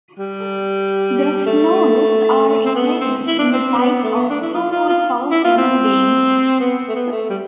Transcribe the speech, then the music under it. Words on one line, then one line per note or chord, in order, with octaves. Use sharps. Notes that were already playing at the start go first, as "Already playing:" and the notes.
The Fnools are invaders in the guise of two-foot-tall human beings.
G3
A3
A3
C4
B3
C4
E4
D4
C4
B3
A3
B3
D4
E4
F4
F4
F4
E4
F4
C4
B3
A3
B3
A3
G3